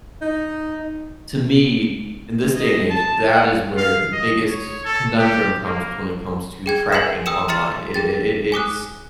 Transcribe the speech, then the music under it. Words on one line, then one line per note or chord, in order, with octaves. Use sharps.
To me, in this day and age, that is where the biggest conundrum comes when it comes to tracking online. It it it it's
D#4
D#5
A5
F#5
F5
D#5
C#5
A4
G4
A#3
G#4 G5 G#6
A#4 B4 G#5 C7 E7
G5 D#6 E6 C#7 E7
A#5 C6 F6 A6 C#7 E7
G#4 G5 A6
G#5 D6 D#6 F#6